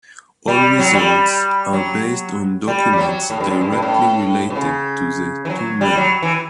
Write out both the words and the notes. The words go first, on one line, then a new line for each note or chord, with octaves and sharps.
All results are based on documents directly related to the two men.
G3
F#3
G3
F#3
G3
G3
F#3
F#3
A2
G2
F#2
G2
G2
A2
B2
C#3
E3
F#3
G3
F#3
E3